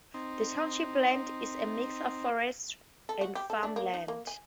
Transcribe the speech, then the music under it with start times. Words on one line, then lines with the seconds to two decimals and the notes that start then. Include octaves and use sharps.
The township's land is a mix of forest and farmland.
0.14 C4 D#4
3.09 A4
3.21 F#4
3.35 G4
3.50 A4
3.63 D4
3.76 A#3
3.94 D#4
4.08 A#3
4.27 G#5